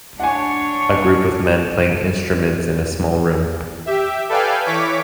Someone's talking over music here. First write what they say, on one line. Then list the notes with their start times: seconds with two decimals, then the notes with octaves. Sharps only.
A group of men playing instruments in a small room.
0.20 D4 C#5 F#5 G#5
3.86 G4 E5
4.29 A4 B4 D5 F5 G5 G#5
4.66 E3 C#5 C#6 D6 B6